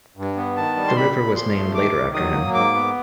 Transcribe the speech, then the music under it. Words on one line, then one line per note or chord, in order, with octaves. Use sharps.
The river was named later after him.
G2
B3
D#3 A5
G3
C6
A#2 B5
A#2
F3 C6
A3
D#3 D6
D#3
F#3 D#6
A#3
G#2 D6
B3